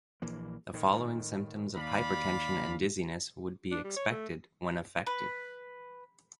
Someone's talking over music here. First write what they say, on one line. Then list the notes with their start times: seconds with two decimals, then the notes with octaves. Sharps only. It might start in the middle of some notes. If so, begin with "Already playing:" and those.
The following symptoms of hypertension and dizziness would be expected when affected.
0.22 A#1 E3 A#3
0.73 A2 D#3
1.77 D#2 D5 F5 B5
3.71 D4
3.84 G3
3.96 C#5
4.11 A3
5.07 B4